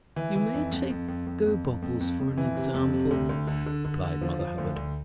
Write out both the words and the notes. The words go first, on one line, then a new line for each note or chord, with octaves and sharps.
"You may take Gobobbles for an example," replied Mother Hubbard.
E3
E3
F2
F2
F2
F2
F2
F2
F2
F2
F2
F2
E3
C3
F2
C3
D2
D2
D3
D3
D3
D3
F3
F3
D2
D2